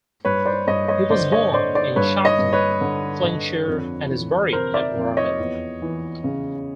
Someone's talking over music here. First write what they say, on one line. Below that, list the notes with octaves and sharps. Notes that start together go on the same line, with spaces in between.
He was born in Shotton, Flintshire and is buried at Rhyl.
G2 B4 C#5
C5 D5
G2 C#5 D#5
C#5 D#5
D3 C5 D5
C#5 D#5
D3 C5 D5
C5 D5
G2 B4 C#5
C#5 D#5
G2
B4 C#5
D3
D3
F2
E3
C3 A#4 C5
D5 E5
F2
C#5 D#5
E2
E3
C#3